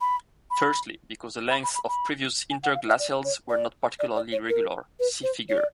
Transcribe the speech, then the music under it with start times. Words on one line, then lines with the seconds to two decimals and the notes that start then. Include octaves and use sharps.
Firstly, because the lengths of previous interglacials were not particularly regular; see figure.
0.01 B5
0.50 B5
1.50 B5
1.63 B5
1.75 B5
1.88 B5
2.50 G#5
2.63 F#5
2.75 F5
2.88 D#5
2.99 D5
3.24 C#5
3.49 D5
3.99 D5
4.15 D5
4.32 C#5
4.49 A#4
4.99 B4
5.23 C5
5.49 C#5
5.57 D5